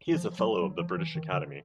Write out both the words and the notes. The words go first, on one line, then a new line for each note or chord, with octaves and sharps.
He is a Fellow of the British Academy.
E3
F3
F#3
F#3
F3
E3
D#3
D3